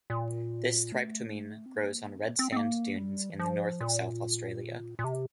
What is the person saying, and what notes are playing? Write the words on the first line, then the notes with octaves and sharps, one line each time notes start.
This thryptomene grows on red sand dunes in the north of South Australia.
A#2
A3
C4
A#3
C4
C4
C4
A#3
G3
E3
F3
A#2
A#2
C3